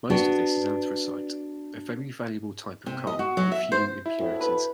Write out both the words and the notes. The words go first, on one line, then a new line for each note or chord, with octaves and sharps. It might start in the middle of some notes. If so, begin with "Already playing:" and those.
Most of this is anthracite, a very valuable type of coal with few impurities.
B3 D4 F#4 G5
C3
D#5
F#4
F#3
E5
C5
E4
D2 A2
B4